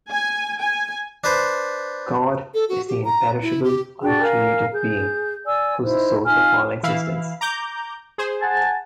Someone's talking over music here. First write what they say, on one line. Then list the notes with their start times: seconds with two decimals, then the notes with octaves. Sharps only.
God is the imperishable, uncreated being who is the source of all existence.
0.11 G#5
0.61 G#5
1.24 D4 B4 C5
2.54 A4
2.69 F#4
2.88 G4
3.05 A#5
3.42 E4
3.64 G4
4.02 D4 F#4 G#4 G5
4.22 A#4 F5 G#5
4.73 G#4 G6
5.45 D5 G#5 E6
5.83 D#4 E4 C5
6.25 D#4 F4 G#5 F6
6.83 E3 E4 F5
7.41 A#5 D6 G6
8.18 G#4 C5
8.42 F#5 G#5 A5